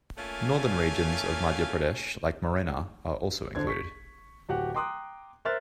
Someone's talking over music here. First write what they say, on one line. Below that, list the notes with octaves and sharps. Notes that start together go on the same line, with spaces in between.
Northern regions of Madhya Pradesh like Morena are also included.
A3 A#3 C#4 F4 F5 G#5
D3 D4 C5 G#6
C#6 B6
D1 F#4 G4 F#5
G5 A#5 C6 D6 D#6 F#6
A#4 C5 E5 F6 F#6 A6